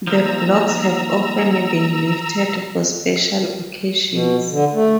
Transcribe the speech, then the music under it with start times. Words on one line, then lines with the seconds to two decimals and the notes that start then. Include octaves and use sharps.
The blocks have often been lifted for special occasions.
0.07 D#2 G#2 F3 A#5 E6
4.12 B2
4.50 D3
4.73 A3